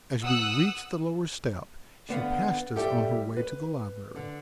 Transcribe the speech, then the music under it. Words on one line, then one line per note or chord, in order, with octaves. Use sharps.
As we reached the lower step, she passed us on her way to the library.
F#5 D#6 E6 F#6
D3 B3 F5 F#5
G2 G4 A4 E5 G5 A5
B4
D3